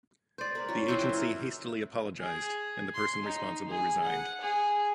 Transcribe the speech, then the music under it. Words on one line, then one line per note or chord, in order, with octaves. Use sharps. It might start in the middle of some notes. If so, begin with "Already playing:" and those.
The agency hastily apologised and the person responsible resigned.
C5 D5
A#4 B4
F#3 C#4
E3 C4 E4 F4 C5 E5
A#4
G#4
C6
D#4
G#4
F#5
G#4